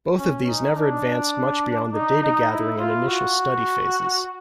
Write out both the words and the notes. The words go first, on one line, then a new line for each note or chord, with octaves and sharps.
Both of these never advanced much beyond the data gathering and initial study phases.
C#4
D#4
D4
D#4
D#4
E4
F4
F#4